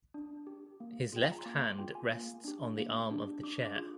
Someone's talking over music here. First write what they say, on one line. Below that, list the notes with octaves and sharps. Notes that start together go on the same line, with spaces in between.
His left hand rests on the arm of the chair.
D4
G4
A#3
F4 G#4 G5
G#5
A#5
C6
A#3 D6
D6
C6
F4 G#4 G5
G#5
A#3
D4 G4
A#3
D4 G4
D4 D6
D6
F4 G#4